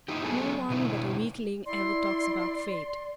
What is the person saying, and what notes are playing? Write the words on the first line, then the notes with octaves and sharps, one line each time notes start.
No one but a weakling ever talks about fate.
D#4 E4 G4
F#3 B3 G#4 A4
B2 D3 D#4 E4
E4 D5 C6